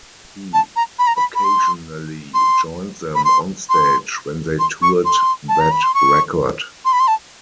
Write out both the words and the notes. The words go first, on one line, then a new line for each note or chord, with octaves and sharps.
He occasionally joined them on stage when they toured that record.
A5
A#5
B5
A#5
B5
B5
C6
C6
B5
C6
C6
C6
C#6
C6
A5
A#5
B5
C6
C#6
C6
B5
C6
A5